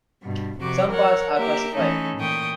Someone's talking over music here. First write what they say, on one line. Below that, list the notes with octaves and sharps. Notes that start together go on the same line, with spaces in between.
Some parts are classified.
G2 B2
F2 C3 F#4 D6
A#4 C#5 F#5
A#3 G4 A#4 E5
E3 A3 C#4 D#4 A4
A#2 E3 G5 C#6 D#6